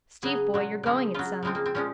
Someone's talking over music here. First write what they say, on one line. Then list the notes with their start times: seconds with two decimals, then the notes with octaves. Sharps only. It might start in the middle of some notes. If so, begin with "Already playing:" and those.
Steve boy, you're going it some.
0.23 C#3 F#3 G#4
0.54 A#2 F#3
0.83 C#3 F3 G#3
1.14 C#3 F#3 F4
1.43 C#3 F3 G#3 C4
1.55 A#3
1.66 C4
1.75 A#2 F3 G#3 C#4